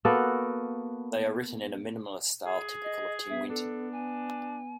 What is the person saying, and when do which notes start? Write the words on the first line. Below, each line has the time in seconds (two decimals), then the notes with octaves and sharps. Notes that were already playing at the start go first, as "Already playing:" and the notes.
They are written in a minimalist style typical of Tim Winton.
0.05 A#3 B3 F#4 A4
2.46 G#4
2.84 D#5
3.30 B3 E5
3.50 D4 A4
3.92 G#5